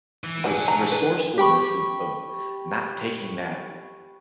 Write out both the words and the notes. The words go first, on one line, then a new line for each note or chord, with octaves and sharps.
the s resourcefulness of of not taking that,
E3
G3 D4 F#4 G#4 B4
A#5
B4
G4 G5 B5 C#6